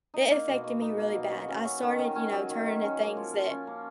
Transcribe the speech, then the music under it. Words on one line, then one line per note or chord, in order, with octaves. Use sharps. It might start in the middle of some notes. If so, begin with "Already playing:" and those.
it affected me really bad. I started, you know, turning to things that
D#4
A#3
B2
F#4
D#4
A#3
B2
F#4
C#4
F#3
D#3
D#3
C#4
F#3
D#3
D#3
C#4
A#3
F3
F3
C#4
A#3